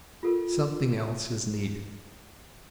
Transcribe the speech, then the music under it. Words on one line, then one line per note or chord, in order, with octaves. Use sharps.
Something else is needed.
F4 A4 A#4